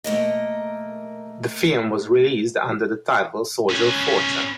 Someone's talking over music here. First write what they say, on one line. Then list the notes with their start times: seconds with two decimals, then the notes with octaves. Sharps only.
The film was released under the title "Soldier of Fortune".
0.04 A3 A#3 A#4 D#5
3.70 C#4 B4